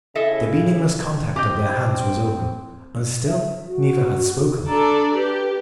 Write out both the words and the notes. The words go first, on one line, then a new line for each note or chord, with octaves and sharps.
The meaningless contact of their hands was over, and still neither had spoken.
C#3 E4 A4 D#5 E5
C4 G4 D#5 D6 G6
E5
F#4
D4 A4 D5 A#5
G4 B4